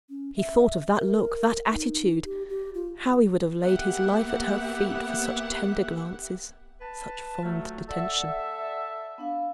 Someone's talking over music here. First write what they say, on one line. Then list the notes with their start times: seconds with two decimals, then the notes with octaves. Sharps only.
He thought of that look, that attitude!--how he would have laid his life at her feet for such tender glances, such fond detention!
0.10 C#4
0.37 E5
0.96 A#4
1.72 D#4
2.25 G4
2.49 G4
2.74 F4
3.63 A#3 B3 G4 E5 F#5
6.81 B4 A5
7.43 F#3 A3 F4
7.89 A4 D5 E5 F#5
9.18 B3 D4 F5